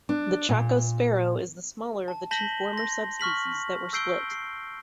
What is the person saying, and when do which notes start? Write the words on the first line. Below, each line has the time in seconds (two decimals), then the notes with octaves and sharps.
The Chaco sparrow is the smaller of the two former subspecies that were split.
0.09 D4
0.49 A#2
2.08 A5
2.31 A5 G6 A#6 B6 F#7 G7
2.73 C6 A#6
3.20 C#6 F6 B6 F#7
3.93 E6 G6 C7 D7 G7
4.31 C7